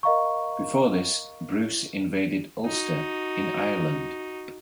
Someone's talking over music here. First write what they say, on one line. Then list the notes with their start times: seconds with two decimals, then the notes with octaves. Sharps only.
Before this, Bruce invaded Ulster in Ireland.
0.03 A#4 D#5 F5 A#5 C#6
2.66 D#4 F#4